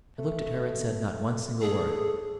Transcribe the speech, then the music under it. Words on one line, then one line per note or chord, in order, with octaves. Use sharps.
I looked at her and said not one single word.
A3
G#4 A4